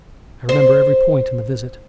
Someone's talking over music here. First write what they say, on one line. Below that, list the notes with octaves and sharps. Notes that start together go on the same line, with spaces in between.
I remember every point in the visit.
C5